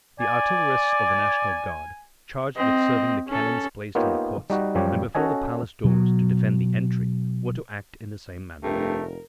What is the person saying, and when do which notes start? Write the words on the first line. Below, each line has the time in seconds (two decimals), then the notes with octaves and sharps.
The artillerists of the National Guard, charged with serving the cannons placed in the courts and before the palace doors to defend the entry, were to act in the same manner.
0.20 D5 G#5
2.56 C4 D#5
3.28 C#4 A4
3.95 A#3 B3 D#4 F4 G4 C#5
4.50 G3 D#4 F#4
4.75 F#2 F3 G3 G4 C#5
5.15 C#4 F#4 A4 C#5 D#5 G#5
5.84 B2 F#3
8.64 F1 G2 A3 A#4